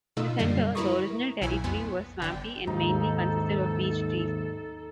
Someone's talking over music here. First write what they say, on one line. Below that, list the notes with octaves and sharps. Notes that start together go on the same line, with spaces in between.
In the centre, the original territory was swampy and mainly consisted of beech trees.
B2 D#4 F4 E6
F#2 D3 G3 A#3 C7
E4 A#4 B4 A#5 C#6 D#6
B1 C#3 E4 G#5
F2 B3 C6
G1 D3 G5
D#2 G#2 D#4 A4